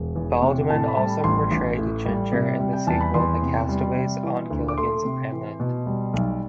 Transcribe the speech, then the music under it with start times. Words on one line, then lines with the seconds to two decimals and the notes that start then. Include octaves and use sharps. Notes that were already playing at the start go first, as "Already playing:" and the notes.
Baldwin also portrayed Ginger in the sequel "The Castaways on Gilligan's Island".
Already playing: E1
0.16 E2
0.42 C3
0.70 A2 A5
0.88 B5
0.97 G3 A5
1.24 A1 C6
1.51 A1
1.78 A2
2.06 G3
2.33 C3
2.60 G3
2.73 G5
2.87 E2 A5
3.01 B5
3.14 E2 C6
3.42 C3
3.69 G3
3.96 C3
4.23 E3
4.51 D2
4.68 D6
4.78 A3 C6
5.05 C3
5.32 E3
5.60 B2
5.87 G3
6.14 B1